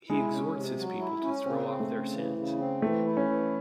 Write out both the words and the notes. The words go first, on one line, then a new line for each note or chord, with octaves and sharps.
He exhorts his people to throw off their sins.
G#3 E4
C#4
C3
F#3
E4
C#4
C#3 C4
C4
A3
C#3
E3
C#3
C4
E3 A3
E4
C#4
E3